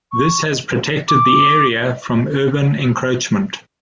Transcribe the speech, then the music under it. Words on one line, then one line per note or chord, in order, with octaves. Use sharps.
This has protected the area from urban encroachment.
C#6
D6